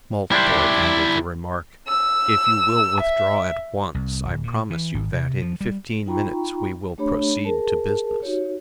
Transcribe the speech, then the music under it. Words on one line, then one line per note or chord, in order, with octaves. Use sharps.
Maltboy added the remark: "If you will withdraw at once, I promise you that in fifteen minutes we will proceed to business."
G3 D4 E4 G4 C5
E6
E5
C2
D1
A#2
E3
G#1
C3
F3
G3
D#4 F4 G5 A#5 B5 C#6
A3 D4 G4 C#5 B5
G#4 A#4 A5
D#4 F#4 G4 C#5